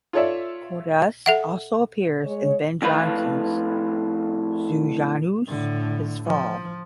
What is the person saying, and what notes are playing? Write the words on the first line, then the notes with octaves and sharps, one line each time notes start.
Cordus also appears in Ben Jonson's "Sejanus: His Fall".
F4 A4 C#5 D5 E5
A4 E5 F#5
G#3 C#5
F2 A2 F4 B4 B5
A2 D3
F3